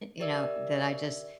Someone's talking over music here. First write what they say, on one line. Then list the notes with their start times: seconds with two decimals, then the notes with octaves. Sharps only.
you know, that I just
0.20 G4 A#4 D5 E5 E6